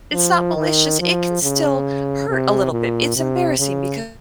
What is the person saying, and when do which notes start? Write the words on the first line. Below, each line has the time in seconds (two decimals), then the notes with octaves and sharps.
it's not malicious, it can still hurt a little bit. It's embarrassing because,
0.13 F3
0.56 D#3
1.00 F3
1.43 C#3
2.29 C3
2.72 A#2
3.16 C3
3.59 C#3